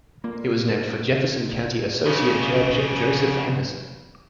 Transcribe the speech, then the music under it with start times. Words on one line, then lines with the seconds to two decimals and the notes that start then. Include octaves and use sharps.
It was named for Jefferson County Associate Judge Joseph Henderson.
0.24 A#2 A#3
2.06 F2 C#3